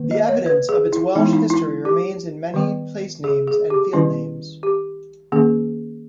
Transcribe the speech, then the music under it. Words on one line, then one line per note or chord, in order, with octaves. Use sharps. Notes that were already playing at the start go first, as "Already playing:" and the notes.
The evidence of its Welsh history remains in many placenames and field names.
Already playing: D#3 A#3
D#5
C#5
B4
G#4
E4
E3 G#3 B3 D#4
E4
D#4
E4
G4
D#3 G3 B3
G#4
G#4
G4
D#3 G3 C#4 E4
G4
D#3 A#3 C#4 G#4